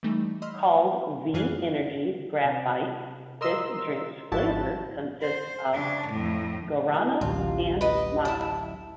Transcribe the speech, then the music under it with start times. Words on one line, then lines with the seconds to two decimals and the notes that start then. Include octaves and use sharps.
Called V Energy Graphite, this drink's flavour consists of guarana and maca.
0.03 E3 G3 A3 D#4
0.42 D#5 B5 C6 E6 F6
1.34 F#2 E3 G#4 F6 F#6 C7
2.45 C3
3.41 A#4 D#5 C6 E6
4.32 G#1 F3 E4 F#4 A5
5.21 C5
5.73 C#3 D4
6.09 F2 A2
6.94 E4 A#4 A5
7.21 A1 D2 F#3 F4 G4
7.81 B4 D#5
8.25 E4 A5